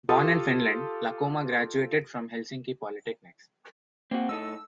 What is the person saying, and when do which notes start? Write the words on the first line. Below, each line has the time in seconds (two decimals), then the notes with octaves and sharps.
Born in Finland, Lakomaa graduated from Helsinki Polytechnics.
0.09 F4 G4 A4 A5 D#6
4.11 A#3 C4 F#4
4.29 A2 D#4 A4 E6